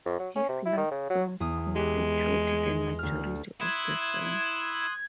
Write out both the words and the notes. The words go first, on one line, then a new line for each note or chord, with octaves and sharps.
His love songs constitute the majority of the songs.
F2
F#3
C#4
C3
E4
D#3
C#3
F#3
E2 D#6
G#3 G4 B4
D2 F6
E4 C6 D#6 F#6 G#6